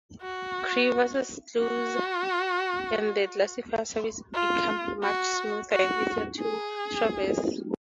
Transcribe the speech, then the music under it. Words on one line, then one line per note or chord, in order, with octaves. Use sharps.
Crevasses close and the glacier surface becomes much smoother and easier to traverse.
F#4
F#4
F4
F#4
F#4
G#4